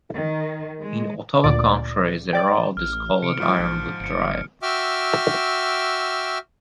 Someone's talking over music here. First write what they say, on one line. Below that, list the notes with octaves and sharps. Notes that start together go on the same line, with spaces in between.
In Ottawa County, the road is called Ironwood Drive.
D#3
G#3
D2 A#2 D5
D5 G5
A1 F6
C3 C#7 D7
G#2 F3 F4
A#1
G1 C#7 D7
F#4 E5 G5 D6 E6 F6